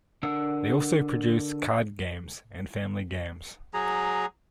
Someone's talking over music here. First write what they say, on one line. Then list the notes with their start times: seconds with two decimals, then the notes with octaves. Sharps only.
They also produce card games and family games.
0.23 D3 D4 A#4 F#5 E6
3.74 F#3 G#4 A#5